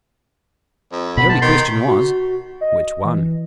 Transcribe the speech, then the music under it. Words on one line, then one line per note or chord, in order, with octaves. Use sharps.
The only question was, Which one?
F2
B2 B5
C3 A5
D#3 C6
F#4
D#5
E3